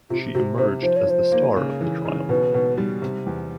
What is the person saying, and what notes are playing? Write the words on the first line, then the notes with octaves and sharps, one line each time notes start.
She emerged as the star of the trial.
C3 F4
C3 F#4
C3 C5
F3 C5
C#5
F3 C5
A#3
C#3
E3
C#3
B2 B4
B2
G3
C3
E2